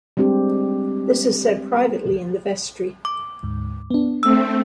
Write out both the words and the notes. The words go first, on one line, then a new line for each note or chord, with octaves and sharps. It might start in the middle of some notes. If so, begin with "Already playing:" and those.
This is said privately in the vestry.
G3 G#3 C4 D4 G4
D6
D2 G#2
B3 D4
A3 C4 E6